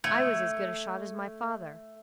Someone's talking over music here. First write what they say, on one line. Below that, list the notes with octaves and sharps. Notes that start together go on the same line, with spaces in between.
"I was as good a shot as my father."
A3 G#6